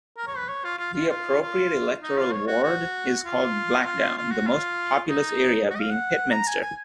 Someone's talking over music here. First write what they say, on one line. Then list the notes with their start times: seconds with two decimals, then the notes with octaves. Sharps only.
The appropriate electoral ward is called 'Blackdown', the most populous area being 'Pitminster'.
0.17 A#4
0.27 C#5
0.38 B4
0.49 C#5
0.64 F4
0.79 F4
0.94 F4
1.10 F4
1.41 F4
2.02 D#4
2.18 F4
2.32 C#5
2.47 F#4
2.63 F#4
3.25 F4
3.82 F#4
3.86 F4
4.17 F4
4.31 F#4
4.47 F4
5.09 D#4
5.71 F#4
5.75 D#5
5.80 F5
5.91 F#5
6.31 A#5
6.47 G#5
6.62 G#5